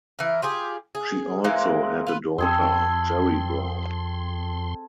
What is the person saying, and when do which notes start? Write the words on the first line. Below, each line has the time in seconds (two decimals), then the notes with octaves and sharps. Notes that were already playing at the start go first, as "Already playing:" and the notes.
She also had a daughter, Jeri Brown.
0.19 E3 A#4
0.42 F4 G4 G#4
0.95 G#4
1.44 E3 G#3 A#3 C4
2.07 F4 B4
2.38 F2 C4 G#4 A4 C6